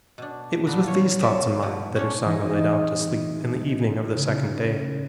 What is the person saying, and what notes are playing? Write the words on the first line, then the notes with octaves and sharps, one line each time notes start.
It was with these thoughts in mind that Usanga lay down to sleep in the evening of the second day.
B2 D4
A#2 B3 D4 A#5
F4 C#5
F#3 A#4 E5 A5
B2 F3
C#4 D4 C#5
E3 D#4 G#4
C4 G#4 D#5
C#3